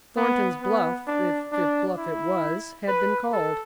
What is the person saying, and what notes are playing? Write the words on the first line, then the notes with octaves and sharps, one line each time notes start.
Thornton's bluff, if bluff it was, had been called.
B3
B3
D4
D4
E4
B4
A4